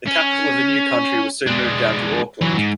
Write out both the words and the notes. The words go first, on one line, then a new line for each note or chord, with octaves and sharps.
The capital of the new country was soon moved down to Auckland.
C#4
G#3 D4
E3 F#3
G#2